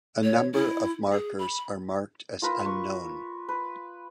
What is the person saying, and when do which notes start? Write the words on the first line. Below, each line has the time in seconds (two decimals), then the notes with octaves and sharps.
A number of markers are marked as unknown.
0.24 C#5
0.54 E4
1.12 G#4
1.39 B5
2.42 F4 A#4 B4
2.66 C#6
3.49 B4